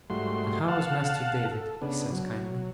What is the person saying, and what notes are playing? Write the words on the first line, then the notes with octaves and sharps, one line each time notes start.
'And how is Master David?' he says, kindly.
G#2 G3 A3 F#4 C6
F5 F#5 A5
A4
C#3 B3 D4
F#3